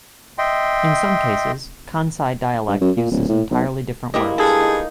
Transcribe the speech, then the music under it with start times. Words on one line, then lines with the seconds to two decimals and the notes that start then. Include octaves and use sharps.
In some cases, Kansai dialect uses entirely different words.
0.38 D#5 E5 G5 C6
2.68 G2
2.81 F#2
2.97 A#2
3.11 D1
3.29 A2
3.51 B1
4.14 G3 G#3 A#3 E4 G4 D#5
4.38 G2 G#4 A4
4.60 D#4